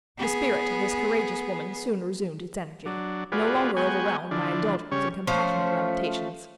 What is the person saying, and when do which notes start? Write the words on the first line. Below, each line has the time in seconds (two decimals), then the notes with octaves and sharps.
The spirit of this courageous woman soon resumed its energy, no longer overwhelmed by indulgence in compassionate lamentations.
0.17 B3 G#4
2.86 F#3 D4
3.32 F4 F#4 G#4 B4 D5
3.76 G#3 B3 F#4 G5 G#5 C#6
4.31 D3 E3 F3 D4
4.92 C#3 G3 C#4 C#5
5.27 F3 A3 C#4 C5